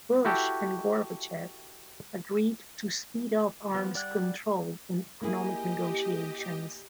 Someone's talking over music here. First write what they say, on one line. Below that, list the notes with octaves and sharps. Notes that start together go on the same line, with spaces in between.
Bush and Gorbachev agreed to speed up arms control and economic negotiations.
E4 F#4 G4 A4
F3 B3
G3 D5 F#5 G5 F#6
A#3 E4 G4 G#4 D#5